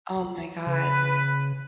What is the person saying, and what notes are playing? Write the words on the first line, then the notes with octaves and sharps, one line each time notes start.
Oh my god.
C#3 B4